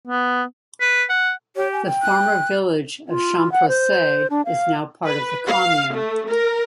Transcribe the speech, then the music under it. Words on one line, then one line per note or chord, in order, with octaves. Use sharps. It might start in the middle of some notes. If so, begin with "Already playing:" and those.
The former village of Champrosay is now part of the commune.
B3
B4
F#5
G4 C#5
G#5
G5
F#6
F4
F#5
C5
D4
F5
B4
F5
A3
A#4